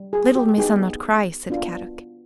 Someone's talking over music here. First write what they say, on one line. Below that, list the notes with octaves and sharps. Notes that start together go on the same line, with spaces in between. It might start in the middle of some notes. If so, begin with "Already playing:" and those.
"Little Missa not cry," said Kadok.
Already playing: G3
G#4
G4
B3 D#4 G4 G#4
B3 D4 F4